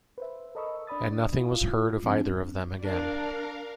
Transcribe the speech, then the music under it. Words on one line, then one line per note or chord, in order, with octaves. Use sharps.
And nothing was heard of either of them again.
B4 C5 E5
A4 A#4 D#5 B5 C#6 E6
D4 D5 B5 D#6 A6
E4 F4
G2 F3 C4 D4
D4 A#4 F5